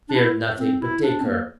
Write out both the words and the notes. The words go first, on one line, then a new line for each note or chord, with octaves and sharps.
'Fear nothing, but take her.'
D4
E4
C4
E4
D4
C4
A#3